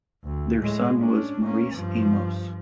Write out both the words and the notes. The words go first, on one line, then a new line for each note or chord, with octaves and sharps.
Their son was Maurice Amos.
D2
A2 G#3
C#4 D4
A#3 C#4
G2 F3